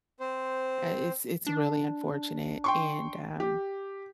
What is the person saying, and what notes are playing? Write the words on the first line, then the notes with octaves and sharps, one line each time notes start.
uh, it's it's really unfortunate, and, um,
C4 C5
D4
G5 C6 C#6
G4